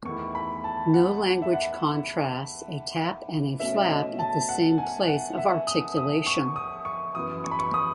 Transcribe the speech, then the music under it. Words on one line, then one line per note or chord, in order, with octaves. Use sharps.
No language contrasts a tap and a flap at the same place of articulation.
E2 D#3 A3 E4 C#6
B5
A5
F#5
E5
F#5
B2 A3 C#4 E5
D#5
A5
F#5
G#5
F#5
E5
D#6
D#6
C#6
D#6
C#6
F#2 E3 B3 D#6
C#6
B5
C#6
D#6